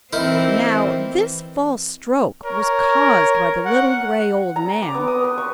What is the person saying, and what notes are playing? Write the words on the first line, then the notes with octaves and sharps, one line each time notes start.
Now, this false stroke was caused by the little gray old man.
E3 C4 D#4 E4 A#4
A#4 C#5
F#5
A#5
D6
B3
D#6
B4
C#6